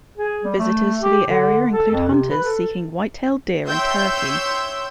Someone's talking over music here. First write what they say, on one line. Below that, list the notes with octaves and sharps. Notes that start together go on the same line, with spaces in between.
Visitors to the area include hunters seeking whitetail deer and turkey.
G#4
G3
A3
G4
D3
A4
F2
C3
B4
A4
C#5 E5 G5 C6 E6 G6